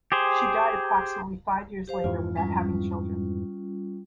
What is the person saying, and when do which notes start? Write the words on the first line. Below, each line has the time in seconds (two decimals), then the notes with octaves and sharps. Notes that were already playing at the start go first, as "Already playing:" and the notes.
She died approximately five years later without having children.
0.12 G4 G#4 C5
1.88 G4 C5 F5
2.04 F2 G#2 E3 F4
2.36 G3 C#4 F4